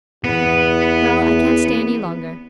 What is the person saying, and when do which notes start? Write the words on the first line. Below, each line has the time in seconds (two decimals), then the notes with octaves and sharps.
'Well, I can't stay any longer.'
0.24 E2 B3 F#5